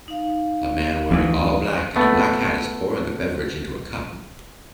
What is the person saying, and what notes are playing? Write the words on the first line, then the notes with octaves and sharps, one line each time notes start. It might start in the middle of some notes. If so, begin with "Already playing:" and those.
A man wearing all black and a black hat is pouring a beverage into a cup.
D#4 F5
D2 E3
A3 B3